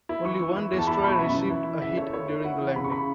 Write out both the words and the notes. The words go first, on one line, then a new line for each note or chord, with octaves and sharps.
Only one destroyer received a hit during the landing.
E4
E3 C#6
E3
E4
E2
A5
E4 B5
A5
B2 B5 C#6
F#2 E5
E3
E4
E3
C#3 E5
A3 C#5
E4 C#5
E4
E4 F#5
E3
C#3 B5
C#6
C#3 B5